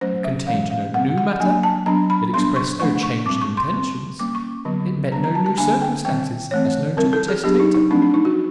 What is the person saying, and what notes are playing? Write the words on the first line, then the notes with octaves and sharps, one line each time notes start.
It contained no new matter; it expressed no changed intentions; it met no new circumstances, as known to the testator.
F#3 A3 C#4 C5
E5
E3 G#3 C#4 F5
F5
G3 C4 F#5
F#5
F#3 A#3 D4 G#5
A5
F#3 B3 D4 A#5
B5
G3 B3 D4 C6
C#6
F3 A3 D4 C#6
C#6
G3 C4 D6
C#6
C6
G3 C4
G3 A#3 C#4 D6
C#6
D3 F#3 B3
G3 B3 D4 A#5
A#5
A5
A5
D3 G3 A#3 D4 G#5
G5
D#3 G3 C4 G5
E3 A3 C4 C#5
G3 C4 A#4
A4
G#4
F#3 B3 D4 G4
D#4
D#4
F3 A3 C4 D4
D4
D#4
F#4